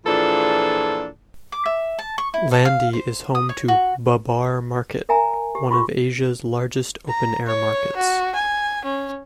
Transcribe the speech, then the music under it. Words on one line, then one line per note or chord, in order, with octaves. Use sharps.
Landhi is home to Babar Market, one of Asia's largest open air markets.
A#2 E3 F3 D4 G#4 A4
D6
E5
A5
C#6
E4
A4
F5
C5
D#6
C#5
F#4
A#4 E5 G#5 A#5
G4
F4 C6 C#6
A#5
C#5
F#4
G#5
C#4